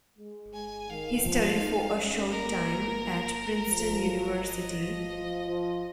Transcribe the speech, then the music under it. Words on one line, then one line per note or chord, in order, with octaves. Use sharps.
He studied for a short time at Princeton University.
G#3
G#3 G#5
D#3 F5
F3
D#4
C#4
A#3 A#4
F3
F3 D#5
F3
F3
F3